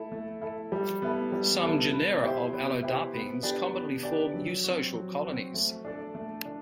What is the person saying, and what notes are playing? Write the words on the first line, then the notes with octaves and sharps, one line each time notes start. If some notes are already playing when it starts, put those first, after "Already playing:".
Some genera of Allodapines commonly form eusocial colonies.
Already playing: A3 E4 A4
A3
E4 A4
G3
B3 E4 A4
G3
B3 E4 A4
B3
E4 G4 C5
B3
E4 G4 C5
B3
D4 G4 B4 D5
B3
D4 G4 B4 D5
F#3
C4 F#4
F#3
C4 F#4
A3
D4 A4 D5
A3
D4 A4